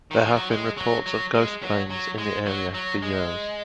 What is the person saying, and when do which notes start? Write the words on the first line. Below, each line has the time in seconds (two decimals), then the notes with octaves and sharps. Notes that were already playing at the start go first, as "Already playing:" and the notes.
There have been reports of ghost planes in the area for years.
0.11 D#3
0.23 F3
0.36 F#3
0.51 G#3
0.77 F#3
1.06 F#3
1.34 G#3
1.62 F#3
1.90 F#3
2.18 G#3
2.46 F#3
2.74 F#3
3.02 G#3